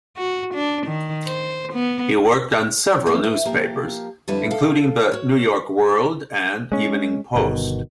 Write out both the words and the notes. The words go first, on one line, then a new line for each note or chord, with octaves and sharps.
He worked on several newspapers, including the "New York World" and "Evening Post".
F#4
D4
D#3
C5
B3
D#3 E3 A3 A#3
E4
F3 A#3 G4 A#4
F2 D3 G3 E4 B4 A5
A4 F5
F#4 C#5
G#3 C#4
G1 B2 D#3